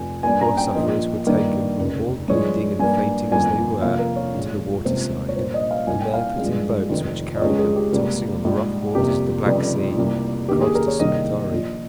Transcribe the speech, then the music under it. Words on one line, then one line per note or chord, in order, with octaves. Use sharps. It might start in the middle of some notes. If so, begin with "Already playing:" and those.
The poor sufferers were taken, all bleeding and fainting as they were, to the water side, and there put in boats which carried them, tossing on the rough waters of the Black Sea, across to Scutari.
Already playing: F1 F2 G#5
G2 G3 A#3 G#5
A#5
G5
A#1 A#2 F3 A#3 D#5
G2 D#3 A#3
F1 D#2 C#3
G2 F3 G#3 C#5
G2 G3 A#3 G#5
G1 F2 D#3 A#3 G#5
F2 C3 F3 A#3 F5
A#4
C#5
A#1 A#2 G#3
C#2 C3 G3 A#3 C5
C#5
A#1 A#2 G3 A#3 C5
D#5
F5
C2 A#2 G3 A#3 G#5
G5
F5
G#1 G2 F3 G#3
F1 F2 D#3
D#5
C#2 C#3 G#3 C#5
G#4
G4
C#2 C3 G3 A#3
A#1 G#2 G3
F2 C3 G3 A#3 G4
F1 F2 C#3 G3
C2 C3 G3 A#3
D#2 D#3 A#3 G4
G#4
A#4
C#5
C2 C3 D#3 G3 A#3 D#5
A#1 A#2 F3